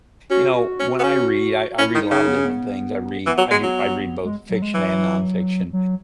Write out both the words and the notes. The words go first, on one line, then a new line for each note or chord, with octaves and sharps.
you know, when I read, I I read a lotta different things, I read I do I read both fiction and nonfiction,
C#4 F#4
F#4
C#4
B3
C#4
C#4 E4
D#3
D#4
C#3
B3
C#4
B3
E3 B3
F#3
G#3
F#3
G#3
F#3
G#3
E3 F#3
F#3